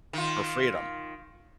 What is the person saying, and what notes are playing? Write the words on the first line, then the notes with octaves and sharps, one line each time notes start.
her freedom.
D#3 F4